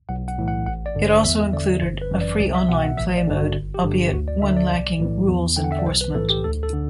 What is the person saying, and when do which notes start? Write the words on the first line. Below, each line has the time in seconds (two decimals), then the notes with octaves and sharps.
It also included a free online play mode, albeit one lacking rules enforcement.
0.09 B1 F#5
0.28 F#5
0.38 A2 E3
0.48 F#5
0.66 A1 F#5
0.86 D5
0.95 G2 D3
1.05 C5
1.24 E2 E5
1.53 D3 D5
1.82 G1 C5
2.02 B4
2.11 F#2 E3
2.21 D5
2.40 C2 D5
2.54 E5
2.69 B2 F#5
2.83 F#5
2.97 A1 E5
3.17 D5
3.27 G2 D3
3.36 F#4
3.55 G1
3.74 G4
3.84 G2 D3
4.13 D2 F#4
4.28 D5
4.42 D3 E5
4.57 D5
4.71 B1
4.99 A2 E3
5.29 E2
5.56 D3 G5
5.64 F#5
5.72 E5
5.79 D5
5.86 B1 C5
6.01 B4
6.15 A2 E3 A4
6.30 G4
6.44 D2 A4
6.63 A4
6.73 D3